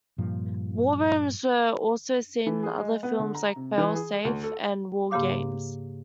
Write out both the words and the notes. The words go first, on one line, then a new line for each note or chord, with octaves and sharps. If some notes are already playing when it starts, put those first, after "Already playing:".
War rooms were also seen in other films like "Fail Safe" and "WarGames".
G2 A#2 F3
E3
G#4
G#3
B3
D3
A#5
C3
E3
G#4
D2
A4
G#2 C#3 A#3 G4 F5 D6